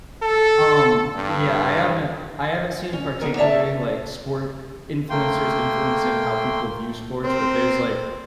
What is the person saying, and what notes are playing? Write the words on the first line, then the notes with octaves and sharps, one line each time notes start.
Um, yeah, I haven't I haven't seen particularly, like, sport influencers influencing how people view sports, but there's, like
A4
G2
C#4
B3 D#4 A#4
C#5 D5 E5 F5 A5
A3 A#3 G5 C6
C4 A#4 C5